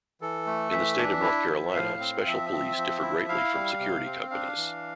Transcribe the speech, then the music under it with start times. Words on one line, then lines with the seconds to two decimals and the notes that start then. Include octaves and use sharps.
In the state of North Carolina, special police differ greatly from security companies.
0.21 E3 A4
0.46 A3
0.72 E3 E5
0.97 D4
1.24 E4
1.49 F3
1.75 A2 F5
2.00 C4
2.26 F3 E5
2.51 C4
2.77 F3
3.02 E4
3.29 E4 F5
3.54 G3
3.79 C3
4.06 C4
4.30 D4 F5
4.56 E3